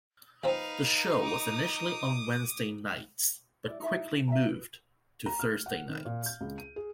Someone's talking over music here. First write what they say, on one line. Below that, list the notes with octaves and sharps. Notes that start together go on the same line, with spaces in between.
The show was initially on Wednesday nights but quickly moved to Thursday nights.
A#1 F3 C4 D#4 B4 F5 A#5
D6 D#6
E4 D5
D#4 E4 E5
E5 F5 G5 A#5
B4
A#5
F6
F#5
D#3
A#2
G6
C#2
D#7
G#4